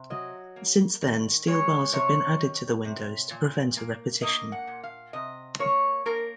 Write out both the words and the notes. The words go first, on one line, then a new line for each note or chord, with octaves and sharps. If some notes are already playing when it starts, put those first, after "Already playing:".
Since then steel bars have been added to the windows to prevent a repetition.
Already playing: C3
F#3 D#5
A#3
D#3
G#3 C#5
C3 C#5
D#3
C3
A#2
A#3
A#3 D#5
F#5
A#2
F5
C3 D#5
A#3 C#5
A#3 A#4